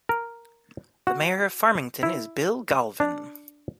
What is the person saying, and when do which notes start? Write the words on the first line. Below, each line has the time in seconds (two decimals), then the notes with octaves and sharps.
The Mayor of Farmington is Bill Galvin.
0.09 A#4
1.07 F#4
2.03 E4
3.00 D4